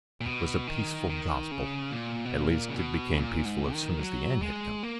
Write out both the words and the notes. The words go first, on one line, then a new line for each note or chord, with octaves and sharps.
It was a peaceful Gospel; at least, it became peaceful as soon as the end had come.
A#2
B2
D#3
D#3
C#3
A#2
B2
A#2
C#3
B2
A#2
G#2
D#3
F#3
G#3
A#3